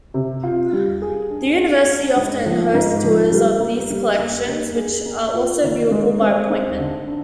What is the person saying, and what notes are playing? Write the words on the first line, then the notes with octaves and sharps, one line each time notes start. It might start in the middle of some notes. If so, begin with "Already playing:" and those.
The university often hosts tours of these collections which are also viewable by appointment.
C3
F4
G3
G#4
D4
G#4
D4
G#2
F3
G#2
F3
G3
A#3
G3
A#3
A#3
G#4
A#3
F4
D#3
G#3
C4
D#4
D3
D4